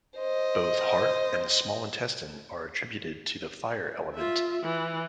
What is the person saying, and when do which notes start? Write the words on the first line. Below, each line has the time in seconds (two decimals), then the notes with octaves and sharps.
Both Heart and Small Intestine are attributed to the Fire element.
0.17 C5 D#5
4.14 F4 E5
4.62 E3